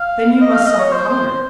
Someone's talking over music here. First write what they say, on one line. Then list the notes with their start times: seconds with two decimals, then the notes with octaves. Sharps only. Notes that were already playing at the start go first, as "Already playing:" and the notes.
"Then you must suffer hunger."
Already playing: F5
0.41 D#5
0.54 F5
0.66 D#5
0.80 C#5
0.92 C5
1.09 C5
1.26 C5